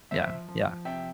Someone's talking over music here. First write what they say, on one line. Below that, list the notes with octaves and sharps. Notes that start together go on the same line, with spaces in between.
Yeah, yeah.
F3 C5 E5
F3
F3
F3
C3 E5 G5